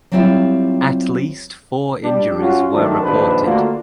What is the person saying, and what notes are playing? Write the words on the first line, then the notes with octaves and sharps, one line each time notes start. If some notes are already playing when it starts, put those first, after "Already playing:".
At least four injuries were reported.
F#3 G3 C4 E4 F4 G4
G3 D4
C#4 F4 F#4
D#3 F#3 A3 D4
A#1 D#2 G#2 D4 B4 C5
D3 A3 A#3 D4 F4 F#4